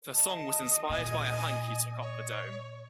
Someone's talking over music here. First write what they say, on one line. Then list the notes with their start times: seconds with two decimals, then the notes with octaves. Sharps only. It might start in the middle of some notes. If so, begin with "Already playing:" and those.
The song was inspired by a hike he took up the dome.
0.15 D#5 A5
0.90 A#2 G#5
2.01 C#5